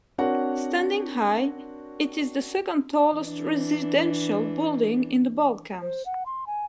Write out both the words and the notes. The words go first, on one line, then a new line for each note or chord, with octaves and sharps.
Standing high, it is the second tallest residential building in the Balkans.
C4 D4 F#4 A#4 C#5 F#5
E3 D4
C5
F#5
C6
G#5